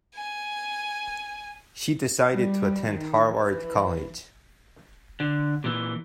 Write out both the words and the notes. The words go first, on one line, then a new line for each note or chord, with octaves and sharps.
She decided to attend Harvard college.
G#5
G3
D#3
E3
D3
A#2 E3